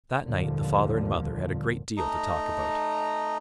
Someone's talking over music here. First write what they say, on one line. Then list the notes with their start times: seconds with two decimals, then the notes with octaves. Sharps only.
That night the father and mother had a great deal to talk about.
0.22 D#2 A#2 D3 F3 G3
1.97 A3 D#4 D#5 A#5